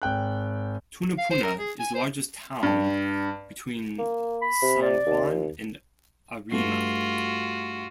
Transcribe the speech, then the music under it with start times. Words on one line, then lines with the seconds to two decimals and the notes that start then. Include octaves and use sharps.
Tunapuna is the largest town between San Juan and Arima.
0.02 G#1 G5 F#6
1.18 F5
1.31 C5
1.43 A#4
1.59 G#4
1.80 G#5
1.94 C5
2.63 G2
3.98 A#3
4.42 B5
4.62 C3
4.82 D5
5.06 D#2
6.51 G2 A3 F4 F#4 C7